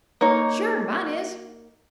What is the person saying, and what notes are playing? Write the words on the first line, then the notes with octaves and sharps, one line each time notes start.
"Sure; mine is."
A#3 D#4 A#4 C#5